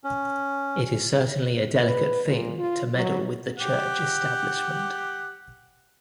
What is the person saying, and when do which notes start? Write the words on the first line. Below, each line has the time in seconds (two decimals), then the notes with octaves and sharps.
It is certainly a delicate thing to meddle with the church establishment.
0.04 C#4
1.85 B4
2.27 A#2
2.58 F4
2.95 F#3
3.58 G4 F#5